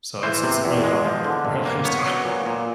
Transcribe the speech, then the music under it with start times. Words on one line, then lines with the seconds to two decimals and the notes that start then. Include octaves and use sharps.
so, it's it's really hot where I live, so
0.23 E3 C5
0.44 C3
0.64 E2
0.84 G#3
1.05 F3
1.24 D3
1.45 G2
1.65 A#3
1.85 B3 C#5
2.06 F#3
2.25 A#2
2.46 A#2